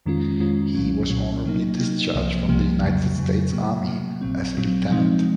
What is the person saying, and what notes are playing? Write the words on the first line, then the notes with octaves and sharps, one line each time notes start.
He was honorably discharged from the United States Army as a lieutenant.
F2 D#3 G#3 C#4 F4
F2 D#3 G#3 C#4 F4
C2 A#2 F#3 C#4
C2 A#2 F#3 C#4
C3 F#3 A#3 D#4
C3 F#3 A#3 D#4
C2 C3 F3 A#3
C2 C3 F3 A#3
F2 C#3 F#3
F2 C#3 F#3
C3 F#3 A#3
C3 F#3 A#3
A#1 A#2 F#3 C4
A#1 A#2 F#3 C4
C3 F3 G#3 C4 D#4